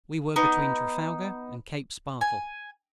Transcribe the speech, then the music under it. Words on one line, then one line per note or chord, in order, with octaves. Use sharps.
We were between Trafalgar and Cape Spartel.
B3 D#4
G#5